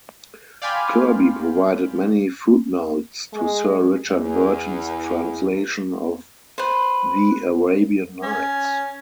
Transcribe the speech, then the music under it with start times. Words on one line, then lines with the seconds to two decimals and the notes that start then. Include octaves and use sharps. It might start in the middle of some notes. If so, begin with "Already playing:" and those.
Kirby provided many footnotes to Sir Richard Burton's translation of the "Arabian Nights".
0.62 D5 F5 G5 G#5 B5 C6
3.33 G#3
4.10 E2
6.58 B4 C5
8.23 C#4